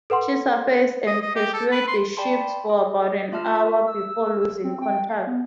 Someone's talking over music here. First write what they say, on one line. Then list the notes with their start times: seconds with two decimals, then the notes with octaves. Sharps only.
She surfaced and pursued the ships for about an hour before losing contact.
0.10 A4 B4 F#5 C6
1.07 D#5
1.22 D#5
1.35 G4
1.53 A4
1.71 B4
1.88 C6
2.17 D5 G5 A5 B5 C6
2.70 G#4
3.02 D#5
3.32 A3 F4 E5 A5 F6
3.66 A#4
3.87 E6
4.64 C4
4.82 G5
5.09 F5
5.27 B3